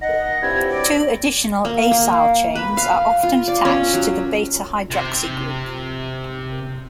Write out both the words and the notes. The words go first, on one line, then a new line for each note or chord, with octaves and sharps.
Two additional acyl chains are often attached to the beta hydroxy group.
D#4 F#5 A#6
D#5
G2 C4 E4 G#6
F#3 D5
A#3
A#3
B4
F5
F4
D5
C#4
F#3
C3 C5